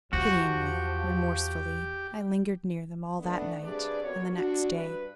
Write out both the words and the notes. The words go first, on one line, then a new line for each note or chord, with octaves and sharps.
Pityingly, remorsefully, I lingered near them all that night and the next day.
E2 F3 F#4 G4
A3 B3 D4
G2 C3 D4 G#4 B4 D5
F2 B3 F#4 A#4 C#5
D4 F#4
G2 B4